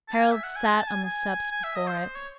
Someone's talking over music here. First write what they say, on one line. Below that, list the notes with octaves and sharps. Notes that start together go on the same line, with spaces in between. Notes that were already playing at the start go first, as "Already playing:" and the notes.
Harald sat on the steps before it.
A5
G#5
E5
F#5
G#5
A5
G#5
G#5
G#5
E5
D#5
C5
C5
C#5